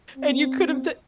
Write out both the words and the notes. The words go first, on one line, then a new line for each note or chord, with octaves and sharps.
And you could have d
C4